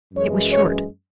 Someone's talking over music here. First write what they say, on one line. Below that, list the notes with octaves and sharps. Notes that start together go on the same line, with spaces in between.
It was short.
F#2 E3 G#3 C#5
C#5